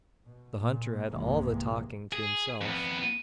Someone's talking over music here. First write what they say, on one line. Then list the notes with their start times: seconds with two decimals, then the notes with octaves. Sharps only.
The hunter had all the talking to himself.
0.24 B2
0.58 A#2
1.06 B1 E2 G2 C3 G#3 A#3
2.12 G#4
2.61 F2 B3